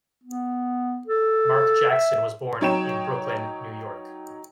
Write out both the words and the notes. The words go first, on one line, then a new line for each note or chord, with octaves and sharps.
Mark Jackson was born in Brooklyn, New York.
B3
A4
E5
F#3 D#4 C#5 G5 E7